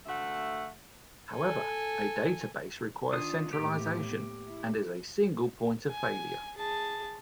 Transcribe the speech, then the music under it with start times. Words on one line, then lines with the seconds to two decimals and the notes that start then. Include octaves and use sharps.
However, a database requires centralization and is a single point of failure.
0.06 D2 A3 E5 F#5
1.32 A4 G#5
3.13 D#3 D4 F4 D#6
3.53 A2 A#3 B3 G4
4.47 E4
5.90 G#5
6.57 G#4 A5